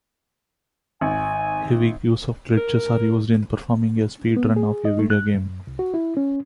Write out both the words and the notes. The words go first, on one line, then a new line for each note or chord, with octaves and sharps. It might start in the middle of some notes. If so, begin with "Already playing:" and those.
Heavy use of glitches are used in performing a speedrun of a video game.
G#1 G#5
A#4
B3
G#4
D#5
A3
F#6
F#2
C2
F#4
E4
C#4